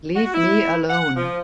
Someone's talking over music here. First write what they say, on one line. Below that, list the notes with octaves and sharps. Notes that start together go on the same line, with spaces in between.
Leave Me Alone!
F#4
E4
F#5
F3